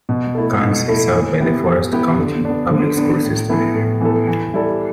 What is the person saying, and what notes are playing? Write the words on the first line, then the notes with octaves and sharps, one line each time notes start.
Carnes is served by the Forrest County Public School System.
B2
A3 E4 A4
B2
A3 E4 A4
E3
B3 E4 G4
E3
B3 E4 G4
D3
B3 D4
D3
B3 D4
A2
E3 B3 E4 A4
A2
E3 B3 E4 A4
E3
G3 E4 A4 D5